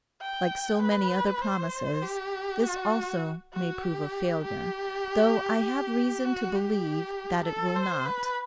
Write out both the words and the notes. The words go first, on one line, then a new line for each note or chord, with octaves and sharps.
Like so many other promises, this also may prove a failure, though I have reason to believe that it will not.
G5
B4
C5
G4
F#4
F#4
G4
G4
F#4
G4
A4
C5
B4